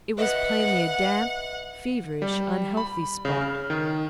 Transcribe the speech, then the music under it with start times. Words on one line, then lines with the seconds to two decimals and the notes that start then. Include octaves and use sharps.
It was plainly a damp, feverish, unhealthy spot.
0.18 B4 D#5 E5 F#5
2.22 G3
2.77 B5
3.25 C#3
3.41 F6
3.70 D#3